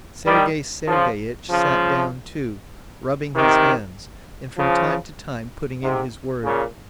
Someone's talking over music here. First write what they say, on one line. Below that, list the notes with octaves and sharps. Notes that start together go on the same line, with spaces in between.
Sergey Sergeyitch sat down too, rubbing his hands, and from time to time putting in his word.
D#3 G3
C#3 F3
C#3 F3
C3 D#3
C#3 F3
G#2 C3
A#2 C#3